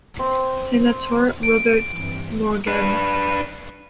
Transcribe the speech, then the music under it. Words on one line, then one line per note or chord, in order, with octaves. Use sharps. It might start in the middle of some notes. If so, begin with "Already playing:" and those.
Senator Robert Morgan.
C4
D7
G2 E3 C4
D4 B4